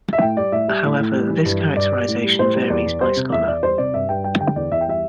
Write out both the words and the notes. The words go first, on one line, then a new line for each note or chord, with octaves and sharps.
However, this categorization varies by scholar.
E5
A2 G5
G3 D5
A2 E5
G3
A2
A2
G3
E3
G2
G3
G2 D5
G3
A2
G3
A2 C5
G3
E2 D5
E2
G3 C5
C3
E2 E5
E2 D5
G3 C5
C3 D5
G2 E5
G2 G5
G3 G5
D3 G5
E2 D5
E2 E5
G5
G3 E5